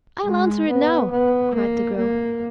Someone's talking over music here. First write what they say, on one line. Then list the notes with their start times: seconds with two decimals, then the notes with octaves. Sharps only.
"I'll answer it now!" cried the girl.
0.25 G#3
0.69 B3
1.11 B3
1.54 A#3
1.97 A#3